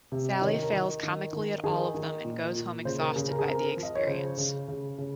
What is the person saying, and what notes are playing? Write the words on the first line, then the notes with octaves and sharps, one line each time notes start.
Sally fails comically at all of them and goes home exhausted by the experience.
C3
D#5
D#3 C#5
A#4
D#3
D#3
D#3
D#3 G#4
D#3
A#2
A#2
C#3 C5
A#4
C#3 G#4
A#4
G#4
C4 A#4
F3
D#5
C#5
C#3 C5
C#3
C#3
C#3